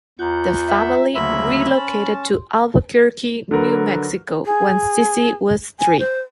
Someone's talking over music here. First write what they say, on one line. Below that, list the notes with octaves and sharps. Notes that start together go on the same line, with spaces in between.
The family relocated to Albuquerque, New Mexico when Cissy was three.
E2 F4 F#5 A#5 G6
E5
D2 C#3 F#3 A#3 E5 B5 C6
C#4 A5
D3 F#3 A#4 B4
G#4
G#5
C5